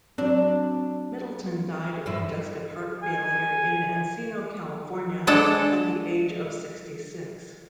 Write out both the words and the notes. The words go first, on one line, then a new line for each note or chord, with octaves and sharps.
Middleton died of congestive heart failure in Encino, California at the age of sixty-six.
F#3 C4 D4
G2 C4 E4
G#5
G#3 D4 A4 F#5